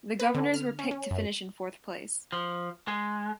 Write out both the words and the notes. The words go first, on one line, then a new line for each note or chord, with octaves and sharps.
The Governors were picked to finish in fourth place.
B4
D3
F6
C#4
C#4
F#2
F3
G#3